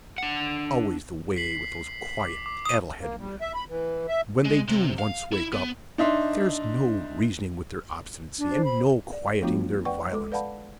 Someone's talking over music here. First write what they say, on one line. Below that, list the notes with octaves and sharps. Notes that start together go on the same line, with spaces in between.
It's always the way with those quiet addle-headed men: when they do once wake up, there's no reasoning with their obstinacy, and no quieting their violence.
D4 F#5
B6 C7 F#7
D6
D6
D#6 D#7
A#3
G3
E5
B5
E3
E5
G#3
C3
F5
E4
B3
D4 D#4 E5 C6
D4
C5
B5
D5
F3 A3 B3 D4 F4 F#4
B4 D5 F#5 G5 C#6
G#3 A4 D6
B4 D5 F5 F#5 A5 B5